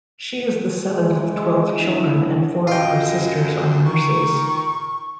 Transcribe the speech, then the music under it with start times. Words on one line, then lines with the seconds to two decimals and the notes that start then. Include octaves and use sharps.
She is the seventh of twelve children and four of her sisters are nurses.
0.87 C#3 E3 F#3 G#3
1.74 B3 C#4 D4 E4
2.67 F#2 F4 D#5 G5
3.85 D#3 C#6